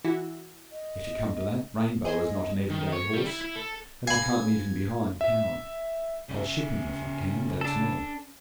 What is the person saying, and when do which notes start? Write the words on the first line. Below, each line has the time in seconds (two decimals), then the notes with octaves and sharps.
'If you come to that, Rainbow is not an every-day horse, and I can't leave him behind, can I? I'll ship him, if I can, that's more.
0.04 E3 E4 F#4
0.72 D#5
2.05 G#4 C5 D#5 G#5
2.70 D#3
2.92 C#5
3.14 G3
3.27 E4
3.42 E4
3.56 A4
4.07 F5 G#5 B5
5.21 E5
6.29 C#3 C#4 E5
7.61 D4 A4